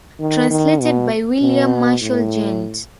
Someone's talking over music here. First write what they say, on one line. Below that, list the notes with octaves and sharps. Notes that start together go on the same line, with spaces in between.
Translated by William Marshal, Gent.
D#3
D#3
B2
B2
A2